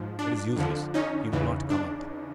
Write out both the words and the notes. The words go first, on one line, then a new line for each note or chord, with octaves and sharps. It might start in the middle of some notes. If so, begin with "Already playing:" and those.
"It is useless; he would not come up."
Already playing: G#2 F3
D4
F2 D3 F3
C#4 D#4
E2 C#3 E3
D4